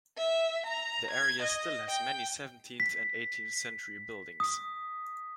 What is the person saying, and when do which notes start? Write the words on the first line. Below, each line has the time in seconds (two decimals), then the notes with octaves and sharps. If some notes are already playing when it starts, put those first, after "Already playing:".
The area still has many seventeenth and eighteenth century buildings.
0.18 E5
0.64 A#5
1.11 G#6
1.42 D#5
1.87 G5
2.80 B6
4.40 D#6